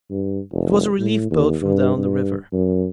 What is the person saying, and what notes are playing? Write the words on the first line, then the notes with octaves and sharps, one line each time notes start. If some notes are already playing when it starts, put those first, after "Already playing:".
It was a relief-boat from down the river.
G2
F1
A2
D#2
G2
G2
F#2